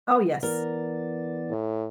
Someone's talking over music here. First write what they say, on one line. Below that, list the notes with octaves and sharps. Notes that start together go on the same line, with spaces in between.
Oh yes.
E3 B3 A#4 D5
A2